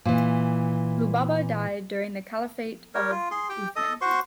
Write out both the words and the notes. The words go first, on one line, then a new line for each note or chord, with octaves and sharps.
Lubaba died during the caliphate of Uthman.
A#2 E3
G3 A#4 C#5
F4
G#4 C6
G4 G5
A4 D#5 D#6
F#4 C5 C6 C#6